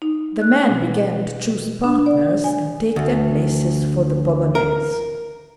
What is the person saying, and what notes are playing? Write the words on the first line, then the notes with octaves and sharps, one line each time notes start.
The men began to choose partners and take their places for the polonaise.
D#4
F#6
B2
D4
D5
G#5
D2
A#4